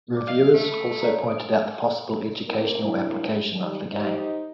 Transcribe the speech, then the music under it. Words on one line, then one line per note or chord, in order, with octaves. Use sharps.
Reviewers also pointed out the possible educational application of the game.
D5 D6
D#5 F5
A3
B5
C#5 D5 A#5
C5 D#6 D7
A#3 C4 E4 A#4
C3 F#3 A#3 D4 E4
D#3 G3
D#4 G4 C5 D#5